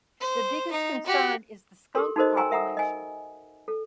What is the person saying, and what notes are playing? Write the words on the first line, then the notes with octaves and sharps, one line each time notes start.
The biggest concern is the skunk population.
C5
D#4
F#4 G4
G4 A4 A#4 C6
D#4 F#4 A4 A#4 C5 D#5
G5 G#5 A#5 C6 E6
A#4 E5 F#5 A#5 D#6
D#5 G#5
A4